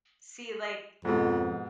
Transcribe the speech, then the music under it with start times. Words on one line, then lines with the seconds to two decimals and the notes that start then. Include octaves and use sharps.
see, like
1.05 F2 G#2 B2